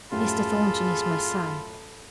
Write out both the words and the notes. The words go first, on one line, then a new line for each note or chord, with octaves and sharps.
Mr. Thornton is my son.
F#2 A2 A3 F4 G#4 A4 B5